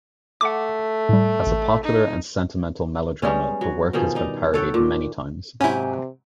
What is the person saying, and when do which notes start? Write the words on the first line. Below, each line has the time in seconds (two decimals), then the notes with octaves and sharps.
As a popular and sentimental melodrama, the work has been parodied many times.
0.41 A3 F#5 D6
1.09 A2 G3
1.47 A1
1.84 D#4
3.22 G3 G#3 B3 C#4
3.61 F#3
3.93 B2 D#3 F3 G#4
4.15 G3 D#4
4.54 A4 C#5 F#5 G5
4.74 A#2
5.61 G#2 C3 F#3 C#4 E4 G4 G#5 G6